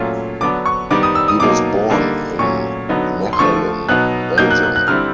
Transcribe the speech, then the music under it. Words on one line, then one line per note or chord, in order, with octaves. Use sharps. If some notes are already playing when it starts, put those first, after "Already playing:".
He was born in Mechelen, Belgium.
Already playing: A#2 F#3 A3 C#4 F4
D3 F#3 B3 D4 D6
C#6
D#3 G3 B3 D6
D#6
E6
D#6
B2 F#3 A#3 D#4 D6
D3 G3 A#3 D#4
A#2 F#3 A3 C#4 C#6
D3 F#3 B3 D#4
C6
D3 F3 A3 C#6
B2 F#3 B3 D#4 F#6
B2 F#3 A#3 D#4 G6
F#6
F#6
F#6
D3 G3 C4 E4 F6